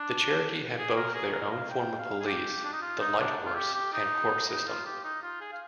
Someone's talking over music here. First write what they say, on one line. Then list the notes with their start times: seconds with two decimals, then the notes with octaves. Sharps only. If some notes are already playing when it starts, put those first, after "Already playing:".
The Cherokee had both their own form of police, the Lighthorse, and court system.
Already playing: D4
0.78 G#4
0.96 A#4
1.15 G#4
1.33 A#4
1.52 F5
1.71 G5
1.98 F5
2.20 G#4
2.26 G4
2.64 D4
2.73 D#4
2.82 F4
3.00 D#4
3.19 D4
3.46 F4
3.56 G4
3.74 G4
3.93 D#4
4.48 D#4
4.68 F4
4.86 G4
5.04 D#4
5.22 F4
5.41 G#4
5.52 F5